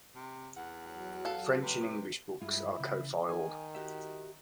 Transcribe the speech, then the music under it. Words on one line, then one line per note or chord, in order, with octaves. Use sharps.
French and English books are co-filed.
C3
E2 F#5
F#3 F#5
A4 F5
C3 B4
G2 G#3 E4 F4
C#3 E3
D#3 G#5
F#4 G4 E5